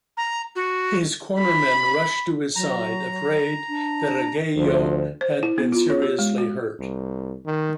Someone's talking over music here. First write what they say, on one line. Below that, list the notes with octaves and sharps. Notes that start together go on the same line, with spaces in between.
His cornermen rushed to his side, afraid that Arguello had been seriously hurt.
A#5
F#4
B5
F#3 A#5
D4
D2 F3
C5
E4
B3
F4
C#5
G4
G#3
F#4
C2
D#3